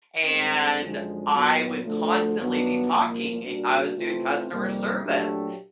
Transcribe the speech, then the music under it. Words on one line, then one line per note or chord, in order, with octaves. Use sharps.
and I would constantly be talking, i I was doing customer service
G2 D#3 G#3 C4
F#2 D3 F3 G#3
A#2 F#3 B3
D2 D3 F3 A3
G2 D#3 F#3 B3 D4
C2 A#2 F3 A#3
A#2 G3 A#3 D4 F#4
C3 E3 A3 C4 F4
F2 C3 D#3 G3 A#3
A#2 F#3 A3 D4 G4